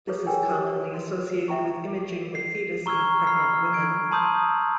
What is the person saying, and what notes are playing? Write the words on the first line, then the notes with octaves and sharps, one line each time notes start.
This is commonly associated with imaging the fetus in pregnant women.
E4 F#4 G#4 A4 B4 C#5
G#4 A#4 C#5 G5 G#5
D#4 G4 A4 A#4 C5 C#5
C6
E5 G5 A#5 C#6
C7
A#5 C#6 E6 F6 G#6
B5 E6 F6 C7
G#6 D7
A5 A#5 C6 D#6 E6 G6